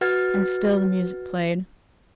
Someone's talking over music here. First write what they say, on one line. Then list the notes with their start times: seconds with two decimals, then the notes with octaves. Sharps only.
And still the music played.
0.01 F#4 B4 F#5 F6 G#6 A6